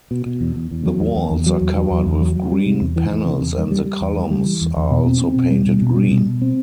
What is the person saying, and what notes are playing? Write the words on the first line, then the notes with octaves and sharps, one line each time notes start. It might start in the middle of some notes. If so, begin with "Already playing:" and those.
The walls are covered with green panels and the columns are also painted green.
B2
B2
E2
E2
E2
F#3
E2
E2
E2
F#3
E2
F#3
E2
E2
F#3
F#3
G3
C3
E2
E3
E3
C3
E2
G3
G3
G3
E2
G3
G3
E3
E2
E2
B2
C4
C4
B2
G3
B2
B2
G3
B2
B2
C4